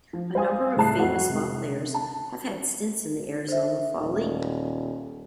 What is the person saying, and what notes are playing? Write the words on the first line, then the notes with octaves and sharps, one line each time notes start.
A number of famous ballplayers have had stints in the Arizona Fall League.
F3
C5 F5 G#5 D#6
C#2 A2 G3 A5 F#6 C7
F2 F#4 C7
C3 G#3
A5
C5 E5
D#1